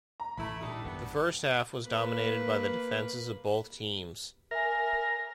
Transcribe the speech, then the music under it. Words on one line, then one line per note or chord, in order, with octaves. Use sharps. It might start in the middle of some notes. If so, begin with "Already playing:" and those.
The first half was dominated by the defenses of both teams.
A#5
A1 A2 E3 A3 E4 B5
A#2 G3 D4 D#4 A4
G#1 F#2 D#3 B3
A#3 B4
A#4 E5 G#5